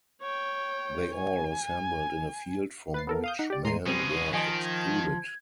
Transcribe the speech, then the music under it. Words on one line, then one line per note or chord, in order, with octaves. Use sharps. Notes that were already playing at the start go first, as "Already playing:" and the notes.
They all assembled in a field from which men were excluded.
C#5 G5
G#5
B4 A6 C7
B3 A4 A#4
F5 D#6 G6
D#4 F#5
G4 D5
A2 G#3 A#5 C6 C7 D#7
B2 G3 G#3 C4 D#7
D#3 F3 D#5 G#5 D7
G#6